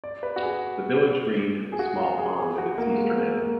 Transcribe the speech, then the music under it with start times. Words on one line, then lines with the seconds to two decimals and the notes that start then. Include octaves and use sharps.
The village green has a small pond at its eastern end.
0.04 D5
0.23 B4
0.36 F#4
0.42 G#4
1.72 G#4
1.79 F#4
1.99 F4
2.18 G#4
2.39 G#4
2.58 F#4
2.78 A#3
2.97 G#3
3.16 G#3
3.37 A#3